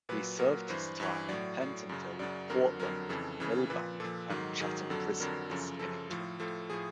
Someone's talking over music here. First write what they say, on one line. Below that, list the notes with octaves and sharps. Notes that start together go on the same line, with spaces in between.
He served his time in Pentonville, Portland, Millbank and Chatham prisons in England.
A#2 F#3 B4
A#2 F#3 A#4
G2 E3 C5
G2 E3
A2 F#3 D5
A2 F#3
F#2 C#3 F#3
F#2 C#3 F#3 D5
F2 D3 F#3 A#4
F2 D3 F#3 A#4
F2 C#3 E3 A4
F2 C#3 E3
A#2 F3 B4
A#2 F3 A4
G#2 D#3 F#3
G#2 D#3 F#3 G#4
F2 D3 F#3 A4
F2 D3 F#3 A#4
F#2 C#3 F3 A4
F#2 C#3 F3 A4
A2 F3 A4
A2 F3 A4
A2 F3 G#4